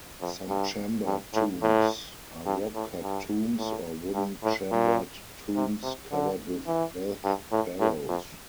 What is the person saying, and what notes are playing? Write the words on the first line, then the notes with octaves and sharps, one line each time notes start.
Some chamber tombs are rock-cut tombs or wooden-chambered tombs covered with earth barrows.
F2
G2
G2
A2
A2
G2
A2
G2
A2
G2
A2
A#2
C3
C3
D3
E3
G2
A2
A2
F2